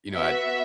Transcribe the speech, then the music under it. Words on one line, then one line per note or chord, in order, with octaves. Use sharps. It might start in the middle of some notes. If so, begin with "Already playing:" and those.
you know, I
B3 F#4 E5